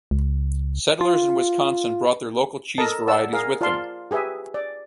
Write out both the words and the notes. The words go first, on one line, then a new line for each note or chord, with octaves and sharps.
Settlers in Wisconsin brought their local cheese varieties with them.
C#2
F4
A4 A#4 D#5 A5
D5 F#5 A5 E6
G#4 A#4 F5
F4 D5 F5 A5 C6
G4 G#4 B4 E5 G#5
D5